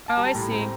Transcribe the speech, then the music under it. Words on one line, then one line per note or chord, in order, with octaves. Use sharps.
Oh, I see.
A5
G3 A#5
A2
C4 A#5